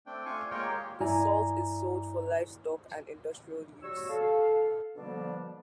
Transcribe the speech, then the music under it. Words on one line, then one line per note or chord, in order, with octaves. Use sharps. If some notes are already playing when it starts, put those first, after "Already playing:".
The salt is sold for livestock and industrial use.
A3 C4 D4 G5
A3 D4 F4 F5 G#5 C#6
G#3 A#3 F4 A#4 C#5 G5
G4 F5
G2 E4 D5 G#5 A#5
G3 F#4 C#5 C#6 E6
A4 F5
B2 D3 F3 G3 A#3 D4